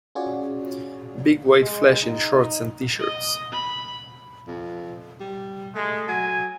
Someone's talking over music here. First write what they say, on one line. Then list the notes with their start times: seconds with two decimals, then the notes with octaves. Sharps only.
Big white flesh in shorts and T-shirts.
0.15 C#4 F4 F#4 G#4 C#5 D5
1.62 G#3
2.03 D#4
2.99 D#5
3.52 B5
4.47 F2
5.20 G3
5.75 G#3 A3
6.08 F#3 G#5